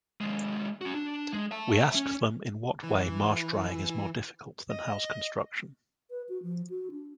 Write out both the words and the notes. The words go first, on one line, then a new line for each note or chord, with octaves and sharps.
We asked them in what way marsh drying is more difficult than house construction.
D#2 G#3
C#4 F#4
D4
G#3
E5 A5
C#4
E3
D#5
B4
F#4
F3
F#4
D4